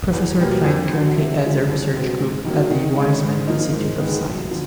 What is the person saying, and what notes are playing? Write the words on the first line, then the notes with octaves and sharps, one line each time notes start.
Professor Klein currently heads a research group at the Weizmann Institute of Science.
E2
B2 G3 A#3
F2
D3 F#3
C3
F3 G#3
C2
B2 G#3 C4
G#2
D#3 F#3 A#3
D#3
G#3
C#4
G#2
F3 A#3 D#4
G#2
D#3 G#3 B3
F#2
D3 F3